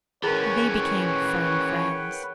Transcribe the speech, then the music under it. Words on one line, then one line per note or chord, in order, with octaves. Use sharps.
They became firm friends.
E3 C#4 G#4 A#4 B4 C#5 F#5 G5